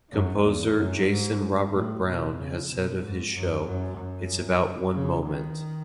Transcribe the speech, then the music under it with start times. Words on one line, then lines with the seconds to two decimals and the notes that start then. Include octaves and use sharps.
Composer Jason Robert Brown has said of his show, It's about one moment.
0.12 F#2
0.44 E2
0.76 F#2
1.08 G#2
1.73 A2
2.05 B2
2.37 C#3
2.69 B2
3.01 G#2
3.34 F#2
3.66 F#2
3.97 F#2
4.94 C#3
5.26 D#3